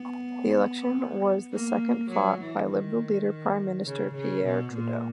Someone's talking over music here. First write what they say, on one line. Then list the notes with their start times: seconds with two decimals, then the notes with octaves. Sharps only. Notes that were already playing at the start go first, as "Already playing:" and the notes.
The election was the second fought by Liberal leader, Prime Minister Pierre Trudeau.
Already playing: B3
1.53 A#3
2.11 F#3
2.41 E3
2.70 D#3
3.86 C#3
4.15 C#3
4.44 B2
4.73 A#2